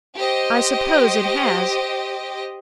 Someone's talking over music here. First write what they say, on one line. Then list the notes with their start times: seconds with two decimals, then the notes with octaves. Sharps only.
I suppose it has.
0.16 G4 C5 D#5